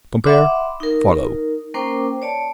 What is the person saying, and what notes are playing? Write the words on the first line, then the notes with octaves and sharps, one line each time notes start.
Compare FOLLOW.
E5 F#5 B5 C6 D6
D#4 A#4
A#3 C#4 A#4 C5 G5 D6
C#5 D5 A5